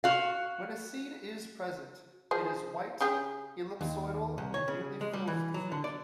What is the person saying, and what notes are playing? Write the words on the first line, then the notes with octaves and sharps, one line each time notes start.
When a seed is present, it is white, ellipsoidal, and nearly fills the fruit.
F#4 F5
F3 G#4
C#3 G4 G#4
D#2
C2
C#5
C#3
G#3
G3
E3
F#3
D3
D5